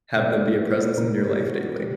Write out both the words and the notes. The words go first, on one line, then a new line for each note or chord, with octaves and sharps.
have them be a presence in your life daily.
C#3 E3 A#3 D5
B4
C#3 E3 A#3 A#4
G4
F#4
D3 G4